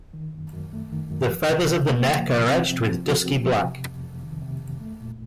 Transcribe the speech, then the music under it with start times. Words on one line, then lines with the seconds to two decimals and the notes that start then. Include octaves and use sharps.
The feathers of the neck are edged with dusky black.
0.13 D#3
0.34 F#2
0.54 F#2
0.73 A3
0.92 D#3
1.11 F#2
1.30 F3
1.50 C3
1.69 C3
1.89 A#3
2.08 F3
2.28 C3
2.48 C4
2.67 F3
2.86 F3
3.06 F#4
3.26 C4
3.44 F3
3.64 C3
3.84 F2
4.03 F2
4.23 D#3
4.42 C3
4.61 F2
4.81 A3
5.00 A#2